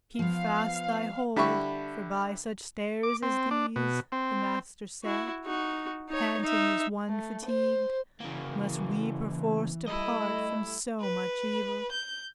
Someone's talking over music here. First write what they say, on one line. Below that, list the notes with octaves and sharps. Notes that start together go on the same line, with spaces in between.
"Keep fast thy hold, for by such stairs as these," The Master said, panting as one fatigued, "Must we perforce depart from so much evil."
F3 B3 F5
D3 G3 E4 B5 C#6
D6
C4
D4
B2
C4
E4 F#4
D#4 F#4
D#4 C#5
D#4 E5
A3
C5
C#3 E3 A#3
G3 A3 E4 D#5
B4
G6